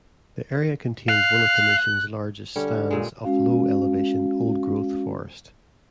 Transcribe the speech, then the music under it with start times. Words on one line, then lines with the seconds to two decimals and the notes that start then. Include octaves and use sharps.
The area contains one of the nation's largest stands of low-elevation old-growth forest.
1.09 F5 F#6
2.56 D3 G3 C#4
2.91 G2 A#2 G#3
3.24 G#3 C#4 F#4 F5